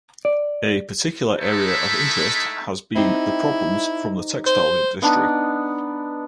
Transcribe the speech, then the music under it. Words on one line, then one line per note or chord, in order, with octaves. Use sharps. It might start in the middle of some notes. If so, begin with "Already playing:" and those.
A particular area of interest has been the problems from the textile industry.
D5
G#3 A3 D#4 E4 A4 E5
C4 D#4 E4 G4
C5
B3 D4 D#4